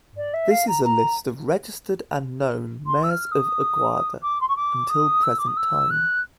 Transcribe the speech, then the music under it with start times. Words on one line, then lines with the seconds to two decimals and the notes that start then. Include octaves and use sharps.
This is a list of registered and known mayors of Aguada, until present time.
0.16 D5
0.33 E5
0.50 F5
0.67 A#5
0.84 A#5
2.86 C6
3.03 E6
3.09 F6
3.31 D#6
4.21 D6
4.40 C6
4.48 C#6
4.56 D6
4.89 D#6
5.23 E6
5.38 D6
5.47 D#6
5.56 E6
5.90 F#6